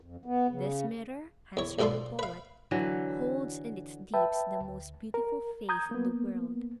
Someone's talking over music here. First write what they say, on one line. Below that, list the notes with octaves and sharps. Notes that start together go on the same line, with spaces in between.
"This mirror," answered the poet, "holds in its deeps the most beautiful face in the world."
F2
B3
C#3
E2 C#5
B1 G#2 F4 A4 D5 C6
B4 F5
D3 E3 F#3
B4 E5 G5 A5
D2
A#4
A#5 D#6 G6 G#6
A#3 B3